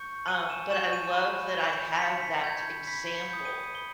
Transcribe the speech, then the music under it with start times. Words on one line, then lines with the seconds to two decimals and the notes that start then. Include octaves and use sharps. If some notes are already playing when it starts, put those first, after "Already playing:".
Um, but I love that I have that example
Already playing: C#6 G6 C#7
0.28 G#5 D#7
0.50 E7
0.71 C#6 G6 E7
0.93 D#7
1.14 B5
1.58 G6
1.96 B6
2.01 B5 C#7
2.22 B6
2.44 G6 G#6
2.87 B5 B6
3.17 C#7
3.30 D#6 G6
3.45 D#7
3.74 B5 G7